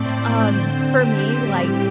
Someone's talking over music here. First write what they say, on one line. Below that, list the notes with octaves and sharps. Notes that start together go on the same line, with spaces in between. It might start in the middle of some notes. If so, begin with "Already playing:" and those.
Um, for me, like,
Already playing: A2 A3 C4 C5 D5
D3 C4
G4
A2 G3 C4